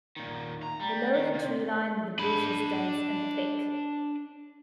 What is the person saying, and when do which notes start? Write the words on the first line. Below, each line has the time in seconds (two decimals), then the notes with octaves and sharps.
Below the tree line the bush is dense and thick.
0.17 A#2 D#3
0.63 A#5
0.80 G3
1.15 D#3
1.33 C3
2.19 D4 B5